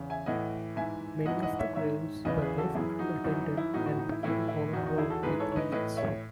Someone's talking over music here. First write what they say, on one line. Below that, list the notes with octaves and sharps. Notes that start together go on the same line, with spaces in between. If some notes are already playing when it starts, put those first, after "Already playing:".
Many of the graves were left unattended and became overgrown with weeds.
Already playing: E2 C#3
E5 G#5
A2 E3 D#5 F#5
G#2 E3 E5 G#5
G#2 E3 D#5 F#5
D#5 F#5
F#5
C#5 E5
G#2 D#3 C#5 E5
E2 C#3 E3 B4 D#5
G#4 B4
F#4 A4
F#2 E3 E4 G#4
D#4 F#4
F#2 E3 D#4 F#4
D#4
E4
A2 E3 D#4 F#4
D#4 F#4
D#4
E4
A2 E3 E4
E4
E2 D#3 D#4 F#4
D#4 F#4
E4 G#4
F#4 A4
G#2 E3 G#4 B4
A4 C#5
C#5
B4 D#5
A2 E3 B4 D#5
C#5 E5